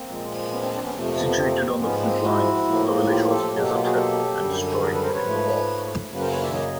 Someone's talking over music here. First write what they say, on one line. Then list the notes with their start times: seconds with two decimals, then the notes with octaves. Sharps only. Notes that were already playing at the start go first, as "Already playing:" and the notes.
Situated on the frontline, the village was deserted and destroyed during the war.
Already playing: A#3 C4
0.08 A#2 F3 G#3
0.51 B3 C#4
0.61 C4 D4
0.73 C4 D4
0.83 B3 C#4
0.94 F2 C3 F3 A3 A#3
1.05 A#3
1.16 B3
1.26 B3
1.37 A#3 C4
1.80 G#2 F3 G#3 B3 C#4
2.01 A#3 C4
2.23 E4 F#4
2.66 A2 F3 A#3
3.09 F4 G4
3.31 G4 A4
3.52 B2 F#3 A#3
3.63 G4 A4
3.74 F4 G4
3.84 F#4 G#4
3.95 G4 A4
4.38 F#2 D3 G3
4.81 G#4 A#4
4.92 A4 B4
5.03 A#4 C5
5.13 B4 C#5
5.24 G#2 F3 A3
6.10 F#2 C#3 F#3 A#3 B4
6.21 A#4 C5
6.32 B4 C#5
6.43 D5 E5
6.54 C#5 D#5